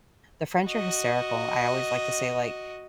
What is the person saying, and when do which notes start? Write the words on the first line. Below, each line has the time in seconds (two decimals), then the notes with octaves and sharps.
the French are hysterical. I always like to say, like,
0.68 F#4 D#5